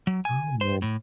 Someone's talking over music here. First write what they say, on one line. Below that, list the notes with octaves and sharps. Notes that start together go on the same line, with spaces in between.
Oh, man.
F#3
G#5
C5
A2